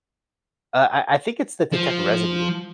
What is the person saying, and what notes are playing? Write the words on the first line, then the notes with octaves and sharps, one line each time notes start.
Uh, I I think it's to detect residue,
F3